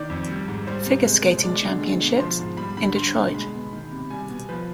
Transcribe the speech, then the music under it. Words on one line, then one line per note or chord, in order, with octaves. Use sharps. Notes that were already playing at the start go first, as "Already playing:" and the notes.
Figure Skating Championships in Detroit.
Already playing: D#3 D5
F2
G3
G#2
G3 C5
C3
G#3
B2
G#3 D5
D3
G#3
B2
F3 C6
G#2
G3 B5
D3 B5
G3 C6
B2
G#3 B5
B2
D#3
C3
G3 G#5
B2
F3 B4